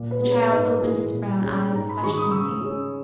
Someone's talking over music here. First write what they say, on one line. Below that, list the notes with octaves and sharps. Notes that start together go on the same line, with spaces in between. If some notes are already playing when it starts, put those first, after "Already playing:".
The child opened its brown eyes questioningly.
Already playing: A#2
B4
G#3 B3
C#5
G#2 B4 D#5
E3 G#3
A#2
G#3 C#4
G#2 A#5
B5
D#3 G#3 C#6
D#6
C#3 C#6 E6
G#3 C#4